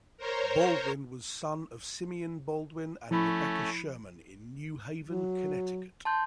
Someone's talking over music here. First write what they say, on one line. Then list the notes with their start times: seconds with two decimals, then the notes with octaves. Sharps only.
Baldwin was son of Simeon Baldwin and Rebecca Sherman in New Haven, Connecticut.
0.17 A#4 C5 C#5 A#5
3.11 F3 A3 C#4 E4 B5
5.04 F#3
6.05 A5 C6 G6